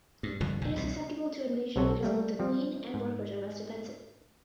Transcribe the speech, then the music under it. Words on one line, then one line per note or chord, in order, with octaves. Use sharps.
It is susceptible to invasion because both the queen and workers are less defensive.
G2
F1 G2 D3 F3
E1 A#1 D3
C2 B2
B1 C3 F#3 F#4 A4
G3 A3 A#3
F3 G3 C4
G#2